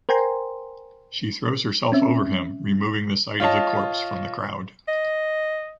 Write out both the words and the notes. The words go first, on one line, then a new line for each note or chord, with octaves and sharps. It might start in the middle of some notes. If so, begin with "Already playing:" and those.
She throws herself over him, removing the sight of the corpse from the crowd.
A#4 C5 G5 G#5 A#5 C6
C4 C#4 E5
F4 C#5 D#5 A5
D#5